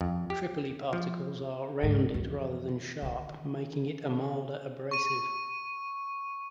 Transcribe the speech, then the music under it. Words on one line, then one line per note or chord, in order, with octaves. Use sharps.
Tripoli particles are rounded rather than sharp, making it a milder abrasive.
F2
G4
F3
G#2
F2 E3
D3 D#3
C#6 D#7